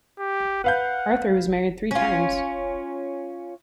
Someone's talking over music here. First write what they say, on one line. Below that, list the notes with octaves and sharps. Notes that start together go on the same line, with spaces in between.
Arthur was married three times.
G4
B4 F5 F#5 G6
C#4 F4